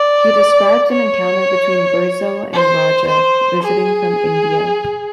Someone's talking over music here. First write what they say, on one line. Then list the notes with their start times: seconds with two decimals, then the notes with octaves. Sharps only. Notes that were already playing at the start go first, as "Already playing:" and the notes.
He describes an encounter between Burzoe and a Raja visiting from India.
Already playing: D5
0.91 C#5
2.54 C5
3.08 C5
3.64 G#4